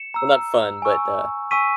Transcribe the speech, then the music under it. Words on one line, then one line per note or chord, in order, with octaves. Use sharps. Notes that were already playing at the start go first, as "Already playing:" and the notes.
Well, not fun, but, uh,
Already playing: C#7 E7
A#5 E6
G#5 C#6 E6
G#5 C#6 E6 B6 D#7